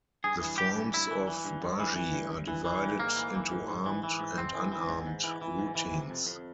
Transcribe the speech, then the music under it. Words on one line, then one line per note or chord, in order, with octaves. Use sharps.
The forms of baji are divided into armed and unarmed routines.
G2 G#4
E3
E3 G4
G2
G2 E4
E3
E3
G2
G2
E3
E3
G2
G2
E3
E3
G2
G#2 A#3
E3
E3
G#2
G#2
E3
E3
G#2
G#2 C4
E3
E3
G#2
G#2
E3
E3
G#2
E3
C3
F2
F2